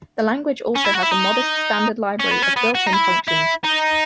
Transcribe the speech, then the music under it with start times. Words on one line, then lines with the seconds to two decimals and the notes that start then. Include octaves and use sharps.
The language also has a modest standard library of built-in functions.
0.76 C#4
0.85 E4
0.94 F#4
1.03 E4
1.11 D#4
2.20 C#4
2.31 B3
2.42 C#4
2.56 B3
2.75 F#4
2.87 D#4
2.93 E4
3.28 E4
3.64 D#4